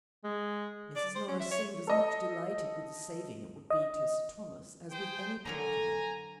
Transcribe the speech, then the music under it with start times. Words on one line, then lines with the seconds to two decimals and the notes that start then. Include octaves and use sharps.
Mrs. Norris seemed as much delighted with the saving it would be to Sir Thomas as with any part of it.
0.24 G#3
0.96 D5
1.15 C5
1.28 C#4
1.40 E5
1.51 C#5
1.87 A4 D#5
3.70 D#5
4.91 G#4 C5 G5
5.46 D3 F#3 A#4 G#5 A#5